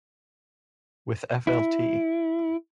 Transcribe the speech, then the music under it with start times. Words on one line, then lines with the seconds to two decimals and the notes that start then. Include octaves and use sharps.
With Flt.
1.47 E4